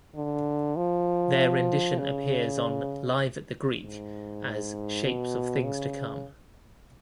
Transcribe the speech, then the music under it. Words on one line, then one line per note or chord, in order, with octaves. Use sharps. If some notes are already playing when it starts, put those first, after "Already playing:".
Their rendition appears on "Live at the Greek" as "Shapes of Things to Come".
D3
F3
C#3
G#2
B2
C#3